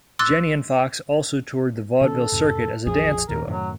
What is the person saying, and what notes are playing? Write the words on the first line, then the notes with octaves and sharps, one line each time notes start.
Jenny and Fox also toured the vaudeville circuit as a dance duo.
C6 D6 E6 F#6 A6
B2 D#3 C#4 A4
F2 G#2 C3
A#1 F2 F3 G#4
D#2 A#2 D#3 A#4
F#2 A2 D#3 F#3